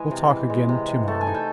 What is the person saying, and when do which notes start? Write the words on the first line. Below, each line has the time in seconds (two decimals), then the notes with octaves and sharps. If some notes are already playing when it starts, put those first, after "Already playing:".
"We'll talk again to-morrow."
Already playing: E3 G#3 G#5
0.11 C3
0.30 E3
0.50 G#3
0.69 C3
0.88 C3
1.08 A3 A5
1.21 G#5
1.27 D#4
1.34 G5 A5